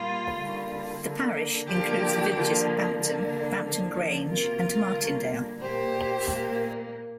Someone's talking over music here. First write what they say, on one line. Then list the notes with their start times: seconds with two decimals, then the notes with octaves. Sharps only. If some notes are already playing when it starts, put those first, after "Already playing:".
The parish includes the villages of Bampton, Bampton Grange and Martindale.
Already playing: A#2 G3 A#3 F4
0.36 D3 G3 A#3
1.02 D3 A#3
1.67 D3 F3 A#3 G4
2.33 D3 F3 A#3
2.98 D3 A#3
3.64 D3 F3 A#3
4.29 C3 A#3 F4 A#4
4.94 D3 G3 A#3
5.61 A#2 A#3 G4 C5
6.25 A#2 A#3